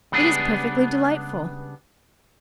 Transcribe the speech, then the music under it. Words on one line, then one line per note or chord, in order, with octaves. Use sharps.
It is perfectly delightful.
C#2 G3 B3 D4 G#4